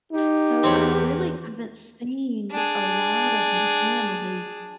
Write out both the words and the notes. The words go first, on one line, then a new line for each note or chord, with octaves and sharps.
so I really haven't seen a lot of my family
D#4 G4
E2 C4 C#5 B5
D4 G#4